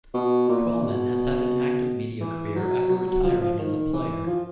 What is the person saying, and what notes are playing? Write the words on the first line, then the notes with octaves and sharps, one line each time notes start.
Twellman has had an active media career after retiring as a player.
B2
A#2
B2
E3
F#3
F#3
F#3
F3
F3
D#3
E3
F3